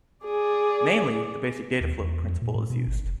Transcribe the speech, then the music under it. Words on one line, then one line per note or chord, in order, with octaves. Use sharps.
Mainly, the basic dataflow principle is used.
G#4 D5
D#2
E2
F2
A#2
A2
B2
G#1
F1